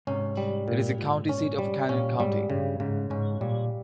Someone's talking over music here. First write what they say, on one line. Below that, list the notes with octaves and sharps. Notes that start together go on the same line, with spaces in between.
It is the county seat of Cannon County.
G#2 C3 C#4
G3
A#2
A#2
C#4
G3
A#2 C#4
G#2 G3
G2 C#3
G#2 C#3
G#2 C#4
A#2 G3